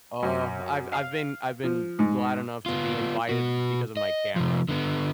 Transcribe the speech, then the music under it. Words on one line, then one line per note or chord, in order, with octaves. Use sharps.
uh, I've I've been I've been glad enough to be invited because of my camera,
F#2
F5
F3
G#2
B3 F4
B2 F#4
D#5
C3 F3
D3 B3